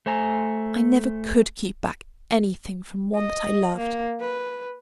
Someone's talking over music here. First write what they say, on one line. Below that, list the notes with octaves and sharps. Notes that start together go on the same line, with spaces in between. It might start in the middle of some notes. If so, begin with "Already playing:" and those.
I never could keep back anything from one that I loved.
A3 C5 G#5 A#5
D#5
A#3
B4